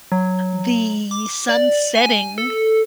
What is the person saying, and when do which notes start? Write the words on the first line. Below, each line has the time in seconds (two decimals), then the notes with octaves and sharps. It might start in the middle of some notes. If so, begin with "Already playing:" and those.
the sun setting
0.12 F#3
1.11 D6
1.49 D5
1.95 G#5
2.38 A4